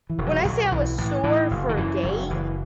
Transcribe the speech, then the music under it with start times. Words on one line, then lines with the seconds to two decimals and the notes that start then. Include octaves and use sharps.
when I say I was sore for days;
0.10 E3
0.18 E1
0.26 F#3
0.45 B1 F#3
0.71 B1 E3
0.98 A2 E3
1.24 A2 E3
1.51 F#1
1.69 D#3
1.77 F#2 E3
2.03 F#1 F#3
2.30 F#1 E3